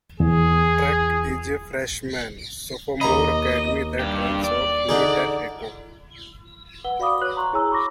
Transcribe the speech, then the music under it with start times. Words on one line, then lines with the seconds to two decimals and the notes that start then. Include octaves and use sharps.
Trek is a Freshman-Sophomore academy that runs off New Tech: Echo.
0.20 E2 G#4
3.01 D#2 D#5 A#5 B5
3.99 G2 G4
4.44 D5
4.89 D3 D#4 G#4
6.85 B4 F#5 G7
6.99 F#4 D5 F5 B5 D6 D#6
7.21 F#4 B4 C#5 F#6 F#7
7.37 A#5 C6 C#6
7.53 E4 G#4 C#5 G#5 A#5 E6
7.71 B5 C#6 D6 A#6